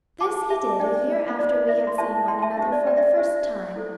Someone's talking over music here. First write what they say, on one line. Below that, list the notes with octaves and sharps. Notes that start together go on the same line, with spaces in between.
This he did a year after we had seen one another for the first time.
E4 G4 C5 A5 D6
E5 A5
D4 C5 D5 G5
E4 C5 D5
E5
C6
E4 G4 C5 E5 A5
G5 C6
E5 A5
D4 G4 C5 E5
D5
D5 G5
E5
D5
D4 G4 C5 E5
E4 A4 C5